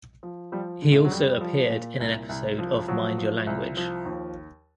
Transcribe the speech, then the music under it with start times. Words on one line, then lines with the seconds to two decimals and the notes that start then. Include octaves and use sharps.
He also appeared in an episode of "Mind Your Language".
0.23 F3
0.52 F3 G3
0.82 D3
0.92 A2 A3
1.04 F#3
1.11 F2 G3
1.41 F3
1.70 A#2
2.00 C2
2.29 C2
2.59 F3
2.88 F3 F#3
3.18 F3
3.47 C2
3.77 F3
4.05 D#2